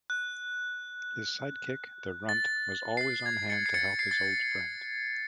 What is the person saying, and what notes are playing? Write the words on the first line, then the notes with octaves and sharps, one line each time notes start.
His sidekick, the Runt, was always on hand to help his old friend.
F#6
A6
C7
A6
G#6
A6 C#7
C7
A6 C#7
C7
A6